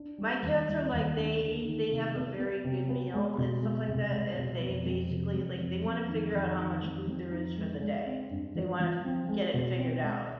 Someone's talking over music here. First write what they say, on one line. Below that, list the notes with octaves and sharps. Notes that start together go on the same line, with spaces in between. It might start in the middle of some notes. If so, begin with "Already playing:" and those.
My cats are like, they eat they have a very good meal and stuff like that, and they basically, like, they wanna figure out how much food there is for the day. They wanna f get it figured out.
Already playing: D4
G3
D#2
G3
D#2
D4
D3
D#3
C3
B3
B3
C3
B3
G#3
B2
G#3
C2
G#3
B2
F2
F2
C3
F2
F2
F2
D#3
F2
D#3
F2
F2
D#4
G#3
G#3
C4
G2
F3
F3
C4
G#3
B2
C4
G#3